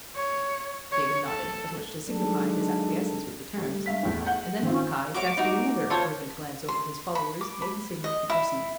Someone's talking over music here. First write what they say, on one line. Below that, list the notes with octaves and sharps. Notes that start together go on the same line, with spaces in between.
David nodded, as much to signify his acquiescence with the terms; and then Hawkeye, casting another observant glance over his followers made the signal to proceed.
C#5
C#5
A4
F#3 G#3 D4 D#4 A4
G3 A3
G2 E5 F5 B6
A1 E2 A3
F#5 G6
D#3 C4 F4
F#4 C#5 D6
D#4 F#4
F4 A4 C5 C#5
C6
B5
D6
B5
D#5
E4